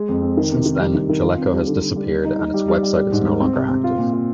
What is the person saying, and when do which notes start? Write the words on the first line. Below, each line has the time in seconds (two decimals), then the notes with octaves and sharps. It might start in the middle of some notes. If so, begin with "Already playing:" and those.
Since then, Jaleco has disappeared and its website is no longer active.
Already playing: G#3
0.08 F2
0.22 C4
0.37 D#3
0.51 C3
0.66 D#3
0.80 G3
0.94 D#3
1.09 D#3
1.23 F4
1.38 C4
1.53 G3
1.67 D3
1.81 D3
1.96 G3
2.10 G3
2.25 D#4
2.39 D#4
2.54 G3
2.68 G3
2.83 G3
2.97 G3
3.12 G#2
3.26 G#2
3.41 C4
3.55 C3
3.69 C4
3.84 F4
3.99 A#2
4.13 F4